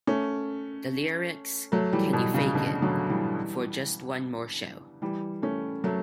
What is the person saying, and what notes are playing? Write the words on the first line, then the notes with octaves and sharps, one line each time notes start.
The lyrics Can you fake it, for just one more show?
A3 C#4
F#3 A3
E3 G3
B2
C#3
B2 D3
D3 F#3
E3 G3
E3 G3
A3 C#4
F#3 A3